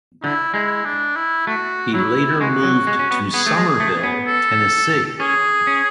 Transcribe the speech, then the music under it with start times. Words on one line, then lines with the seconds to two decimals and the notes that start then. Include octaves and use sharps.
He later moved to Somerville, Tennessee.
0.23 D3 E4
0.54 G#3 E4
0.85 D4
1.16 E4
1.47 A3 F#4
1.94 F#3 E4
2.40 G#3 F#4
2.64 F#3
2.87 G#3
2.99 C#4
3.11 B3
3.34 B3 G#4
3.46 A3
3.57 G#3
3.80 A3
4.03 B3
4.27 A4
5.20 C#4 G#4
5.67 C#4